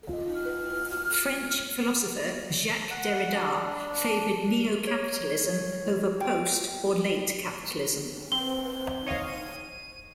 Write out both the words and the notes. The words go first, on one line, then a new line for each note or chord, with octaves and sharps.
French philosopher Jacques Derrida favoured "neo-capitalism" over "post-" or "late-capitalism".
F4 D#5
F6
F#5
D4
C#5
C#5
G5
C4 G7
C#5 D#5 F5
D#7